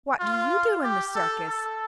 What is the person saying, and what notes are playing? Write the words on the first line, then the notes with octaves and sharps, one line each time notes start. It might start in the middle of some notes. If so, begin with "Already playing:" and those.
"What do you do in the circus?"
F4
G4
A4
A4